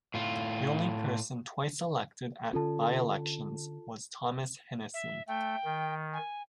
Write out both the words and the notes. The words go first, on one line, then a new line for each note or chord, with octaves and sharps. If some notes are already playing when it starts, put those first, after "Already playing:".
The only person twice elected at by-elections was Thomas Hennessy.
A2 F4
D3 C#4 F4 A4 A5
E5
A3 G5
D#3
G#5